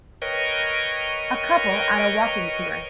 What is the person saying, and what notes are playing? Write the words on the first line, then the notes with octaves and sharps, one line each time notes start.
A couple on a walking tour.
A#4 B4 C#5 D#5 G5 C#6